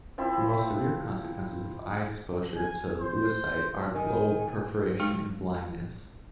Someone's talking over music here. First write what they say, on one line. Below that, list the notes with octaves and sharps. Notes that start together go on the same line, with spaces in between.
The most severe consequences of eye exposure to lewisite are globe perforation and blindness.
F3 C4 E4
G#5
C5
D#3 G#5
G#3 D#4 G5